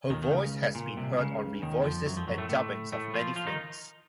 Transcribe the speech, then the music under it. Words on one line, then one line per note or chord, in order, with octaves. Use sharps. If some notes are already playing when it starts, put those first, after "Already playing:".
Her voice has been heard on re-voices and dubbings of many films.
D#2 D#3
D#3
C#2 C#3
A#2
C2 C3
C#2 C#3
D#2 D#3
F2 F3
F#2 F#3
F2 F3
F#2 F#3
A2 A3
A2 A3
A2 A3
F3 F4
F3 F4
D#3 D#4